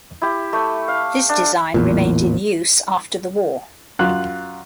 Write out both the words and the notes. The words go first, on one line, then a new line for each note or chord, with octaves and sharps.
This design remained in use after the war.
E4 G4
A3 E5
F5
D4
A1 E2 A#2
F#2 F4 F5 F#6